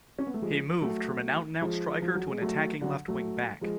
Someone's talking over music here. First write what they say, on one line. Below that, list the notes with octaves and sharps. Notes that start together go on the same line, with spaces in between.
He moved from an out and out striker to an attacking left wing back.
C#4
B3
A3
F3 G#3
F#3 A3
F3 G#3
F3
F#3
G#3
F#3 A3
D3 F#3
F#3 A3
F3 G#3